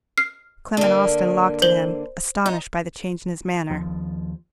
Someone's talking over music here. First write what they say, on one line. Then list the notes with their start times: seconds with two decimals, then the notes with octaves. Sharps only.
Clement Austin locked at him, astonished by the change in his manner.
0.18 F6 C7
0.77 D3 A#3
1.62 C5 F#7 G7
2.46 D#4
3.70 D#2 F3